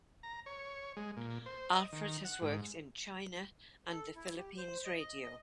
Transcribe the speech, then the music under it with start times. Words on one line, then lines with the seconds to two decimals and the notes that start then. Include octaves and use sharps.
Alfred has worked in China and the Philippines Radio.
0.23 A#5
0.46 C#5
0.97 G#3
1.17 A#2
1.46 C5
1.71 D#5
1.92 D#3
2.25 F#5
2.42 G#2
3.91 A4
4.16 E4
4.37 G4
4.58 C5
4.85 D#5
5.00 D#5
5.23 D#5